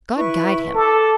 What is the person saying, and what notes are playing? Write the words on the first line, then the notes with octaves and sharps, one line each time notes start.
God guide him!...
E4 B4 C#6
A4 D6